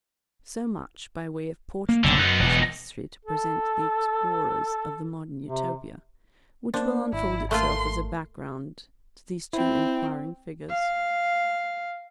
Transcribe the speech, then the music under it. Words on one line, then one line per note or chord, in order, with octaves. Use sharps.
So much by way of portraiture is necessary to present the explorers of the Modern Utopia, which will unfold itself as a background to these two enquiring figures.
A#3
F#1 B1 D3
F#2 B3 D#4
E1
A4
C3
A#3 D4 C5
G#1 E4
A3 A#3 F4 C6
C4 E4
F5